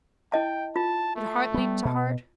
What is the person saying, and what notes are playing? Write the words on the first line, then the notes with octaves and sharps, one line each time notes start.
Did heart leap to heart?
E4 D#5 G5 A5
F4 A5
A3
G3 B3
B2